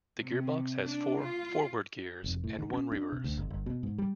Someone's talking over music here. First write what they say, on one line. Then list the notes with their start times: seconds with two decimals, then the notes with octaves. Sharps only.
The gearbox has four forward gears and one reverse.
0.19 C3
0.81 D4
1.19 F4
2.24 F1
2.44 A2
2.59 D#3
2.73 C#4
2.92 D4
3.12 C3
3.24 D2
3.37 G1
3.50 G1
3.66 B2
3.83 G#2
3.98 G3